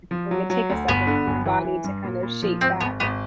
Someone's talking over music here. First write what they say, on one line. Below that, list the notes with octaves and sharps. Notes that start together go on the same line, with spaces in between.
it's going to take a second for my body to kind of shape back.
F3
F#3
F#3
D2
G1 B3
D3
G1
E3
E3
G2
A#2
A#2
F3
G#1 C4
G#1 B3
G#1 B3